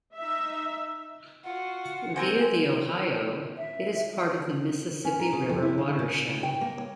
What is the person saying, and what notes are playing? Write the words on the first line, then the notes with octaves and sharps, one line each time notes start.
Via the Ohio, it is part of the Mississippi River watershed.
D#4 E5
F4 F#4 F#5
C4 A#4 C5 G#5
E5
C#4
A#5
C#3
F2
E4
D3
C#3
G5
A#3
C#5